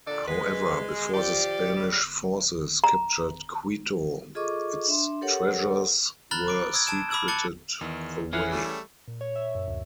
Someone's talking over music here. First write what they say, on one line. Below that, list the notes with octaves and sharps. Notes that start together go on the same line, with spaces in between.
However, before the Spanish forces captured Quito, its treasures were secreted away.
A#2 D3 D5
G#3 B4
F3 G4 D5
A2 C#3 G3
A#5
F4 G#4 A4 D#5 C#6 D6
D4 E5 C6
G4 A4 A#4 C#5 F#5
A#5 B5 F6 F#6 A6 G7
D6 D7
D#6 E6 G#6
A5 G#6 D7 E7
B5 D6 E6 G#6 F#7
A5 D6 F#6 A6 C#7 G7
E2 D#3
E3 C#4 E4 G#4 F#5 F6
G3 A3
A#2
C#5
E5
F#2
D2